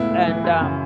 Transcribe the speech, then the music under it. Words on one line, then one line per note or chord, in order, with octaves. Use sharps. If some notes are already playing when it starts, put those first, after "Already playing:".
and, um
Already playing: C#2 A2 B3 E4
A2
E3
F#2
C#3